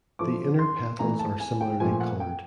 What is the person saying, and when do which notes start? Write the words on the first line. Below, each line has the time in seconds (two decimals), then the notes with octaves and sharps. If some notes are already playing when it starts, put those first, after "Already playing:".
The inner petals are similarly colored.
0.19 A2 F3 A3 D6
0.59 C6
0.99 A2 E3 A3 A#5
1.19 A5
1.40 G#5
1.61 G5
1.80 A#2 F3 A3 G#5
2.00 F#5
2.20 G5